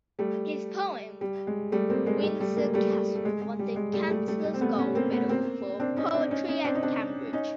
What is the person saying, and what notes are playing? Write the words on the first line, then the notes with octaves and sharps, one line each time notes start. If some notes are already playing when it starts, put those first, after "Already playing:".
His poem "Windsor Castle" won the Chancellor's Gold Medal for poetry at Cambridge.
G3 A3
G3
G#3
G3 A3
A#3 C4
G#3 A#3
G3 A3
G3 A3
G#3 A#3
G3 A3
A3
G#3
G#3
G3
G#3
G3 A3
G3 A3
G3 A3
G3 A3
C4
A3 B3
B3 C#4
A#3 C4
A3 B3
A#3 C4
C4 D4
C#4 D#4
C4 D4
C#4 D#4
C#4 D#4
C4 D4
D#4
C4 D4
C#4 D#4